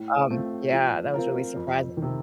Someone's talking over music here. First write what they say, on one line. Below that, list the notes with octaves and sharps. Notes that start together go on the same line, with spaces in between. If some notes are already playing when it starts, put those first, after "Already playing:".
um, yeah, that was really surprising.
Already playing: A2
A3 C4 F4
F3
C4 F4 A#4
F2
D#3
C3